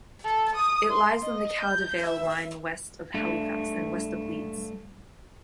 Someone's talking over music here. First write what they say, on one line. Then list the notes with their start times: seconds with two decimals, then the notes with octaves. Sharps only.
It lies on the Caldervale Line west of Halifax and west of Leeds.
0.25 A4
0.55 D#6
0.91 C6
1.22 D#5
1.61 G6
2.06 E5
3.14 G2 A3